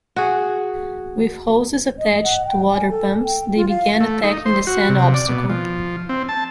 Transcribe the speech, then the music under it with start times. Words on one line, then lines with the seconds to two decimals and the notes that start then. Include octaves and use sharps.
With hoses attached to water pumps, they began attacking the sand obstacle.
0.16 F#4 G#4
1.99 D#5
2.24 F#5
2.45 G5
2.72 G#5
2.90 A4
3.25 G5
3.56 F4
3.69 F5
4.00 A3
4.23 D#4
4.46 C5
4.67 F#4
4.89 C3
5.14 D5
5.29 B2
5.50 F3
6.09 C4
6.29 A5